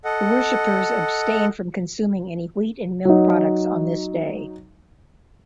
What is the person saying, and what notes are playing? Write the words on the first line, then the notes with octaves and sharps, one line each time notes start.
The worshipers abstain from consuming any wheat and milk products on this day.
A4 D#5 F#5
F#3 D#4